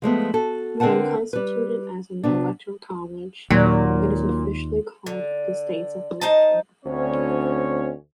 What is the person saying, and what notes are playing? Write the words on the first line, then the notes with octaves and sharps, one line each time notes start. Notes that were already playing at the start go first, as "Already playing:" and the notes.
When constituted as an electoral college, it is officially called the "States of Election".
F3 G#3 A3 B3
F#4 A4
D3 C4 A#4 B4 F#5 A5
G3 B4
C3 B3 D4
D#2 A#2 F#3
D3
D#4 C5 D#5 A5
D2 C4 C#4 C#5